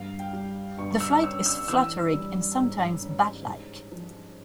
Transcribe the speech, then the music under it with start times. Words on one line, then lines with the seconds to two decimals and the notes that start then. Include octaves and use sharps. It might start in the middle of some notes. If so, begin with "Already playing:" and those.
The flight is fluttering and sometimes bat-like.
Already playing: G2 F5
0.19 G5
0.33 G3
0.78 G1 C#6
0.91 C#6
1.00 E6
1.23 C#4 E6
1.46 E6
1.67 E3 E6
2.12 G3
2.57 G#2
3.01 C#4
3.47 G#2
3.92 F3